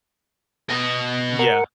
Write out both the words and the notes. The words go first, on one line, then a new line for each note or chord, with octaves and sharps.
Mm, yeah.
B2 D#5
A#4 F#5